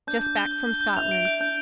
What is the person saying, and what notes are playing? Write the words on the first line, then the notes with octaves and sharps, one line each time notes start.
Just back from Scotland.
D4 G6
G6
G7
G6
G6
G6
E4 F7
D7
G6
D4 G6